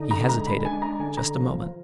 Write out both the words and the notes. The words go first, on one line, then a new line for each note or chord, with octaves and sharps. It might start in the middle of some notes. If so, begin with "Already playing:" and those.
He hesitated just a moment.
Already playing: D3 D#4
A#5
G#3 A#5
B5
D4 G#5
A#5
D3 G#5
A#5
F3